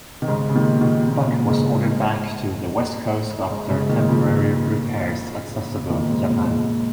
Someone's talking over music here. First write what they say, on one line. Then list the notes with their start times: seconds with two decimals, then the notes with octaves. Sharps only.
"Buck" was ordered back to the west coast after temporary repairs at Sasebo, Japan.
0.22 D#3
0.27 G#2 C#3
0.49 C#3
0.54 A#2 D#3
0.81 A#2 D#3
1.08 A#2
1.23 C#3
1.28 A#2
1.48 G#2 C#3
1.68 A#2
1.89 G#2
3.50 G#2
3.69 G#2 C#3
3.89 A#2 D#3
4.09 C#3 F3
5.90 A#2 D#3
6.10 G#2
6.30 A#2
6.44 A#2
6.50 G#2